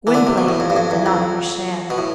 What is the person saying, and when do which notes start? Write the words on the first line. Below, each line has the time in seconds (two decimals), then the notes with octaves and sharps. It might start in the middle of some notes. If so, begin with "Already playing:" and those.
Gwynplaine did not understand.
0.07 E3
0.14 D3
0.27 C3
0.38 B2
0.49 A2
0.60 F2
0.70 G2
0.77 F2
0.91 E2
1.06 F2
1.90 B2
1.98 A2